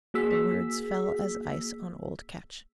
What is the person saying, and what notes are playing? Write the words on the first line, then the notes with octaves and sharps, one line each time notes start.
The words fell as ice on old Ketch.
A#3 F#4 G#4 E6 B6